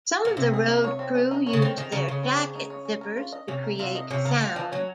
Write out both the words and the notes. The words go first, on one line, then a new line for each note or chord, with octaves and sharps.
Some of the road crew used their jacket zippers to create sound.
A#2
C3 C4
G#4
D#4
C#5
C4
G#4
D#4
C#5
C#3
D#3 C4
D#3 G#4
C#3 D#4
C#3 C#5
C4
G#4
D#4
C#5
C#4
A#4
F4
D#5
C3 C#4
A#4
C3 F4
D#5
C3 C#4
C#3 A#4
D#3 F4
F3 D#5
F#3 C#4